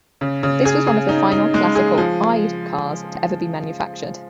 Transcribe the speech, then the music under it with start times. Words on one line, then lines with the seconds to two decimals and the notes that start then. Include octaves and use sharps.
This was one of the final classical "eyed" cars to ever be manufactured.
0.21 C#3
0.43 C#3
0.65 G#4
0.87 G#4
1.09 D#4
1.32 D#4
1.54 G#3
1.75 G#4
1.98 F3